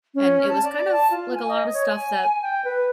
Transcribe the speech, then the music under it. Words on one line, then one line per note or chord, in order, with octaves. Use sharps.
and it was kind of, like a lot of stuff that,
C#4
A5
D5
A5
F4
G#5
D#5
C#5
G#5
G5
B4